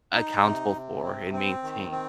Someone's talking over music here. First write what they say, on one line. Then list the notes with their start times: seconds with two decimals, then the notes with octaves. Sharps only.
accountable for and maintain.
0.14 D#4
0.44 C3
0.73 C3
1.03 C4
1.32 C4
1.63 D#3
1.92 C4